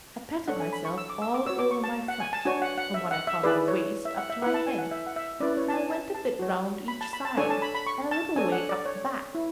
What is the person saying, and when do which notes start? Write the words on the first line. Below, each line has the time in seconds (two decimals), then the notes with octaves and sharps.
I patted myself all over my front, from what I call my waist up to my head, and I went a bit round each side, and a little way up the back.
0.48 D4 A4 C#5 F#5
0.60 G#5
0.73 B5
0.85 C#6
0.98 E6
1.10 D6
1.22 E6
1.34 D6
1.46 F#4 C#5 E6
1.59 D6
1.71 C#6
1.84 A5
2.08 F#5
2.20 G#5
2.33 A5
2.45 D4 F#4 C#5 G#5
2.62 F#5
2.78 F#5
2.94 E5
3.11 F#5
3.27 E5
3.43 E4 G#4 B4 D5
3.68 C#5
4.05 E5
4.17 F#5
4.30 E5
4.42 E4 B4 F#5
4.54 A5
4.67 G#5
4.78 F#5
4.91 E5
5.07 F#5
5.16 E5
5.40 C#4 E4 B4 D5
5.57 C#5
5.68 A5
5.74 G#5
5.90 A5
6.15 A5
6.39 F#4 C#5
6.88 B5
7.01 A5
7.13 B5
7.25 A5
7.37 D4 A4 C#5 G#5
7.50 A5
7.62 B5
7.75 B5
7.87 C#6
8.11 A5
8.36 D4 A4 C#5 G#5
8.52 F#5
8.69 D5
8.86 C#5
9.35 E4